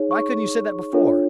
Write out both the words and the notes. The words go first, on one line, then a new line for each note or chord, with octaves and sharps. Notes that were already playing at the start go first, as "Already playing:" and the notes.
Why couldn't you said that before?
Already playing: D#4 G#4 C#5
C#6
D4 F4 A4 C#5